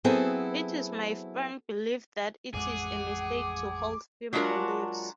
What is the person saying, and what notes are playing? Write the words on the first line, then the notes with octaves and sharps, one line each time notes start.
It is my firm belief that it is a mistake to hold firm beliefs.
F#3 B3 C4 E4 G#4 A4
A1 F2 G#3 G#4 F#5 D6
F#3 G#3 D4 F4 F#4 A#4